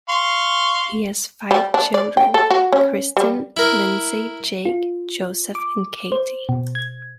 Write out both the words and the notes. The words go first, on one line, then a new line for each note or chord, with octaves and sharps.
He has five children: Kristin, Lindsey, Jake, Joseph and Katie.
F5 C6 C#6
G3
D4
D5
G5
A4
F#4
C#4
G3
E4 A#4
F4
D6
C5
B2
G#6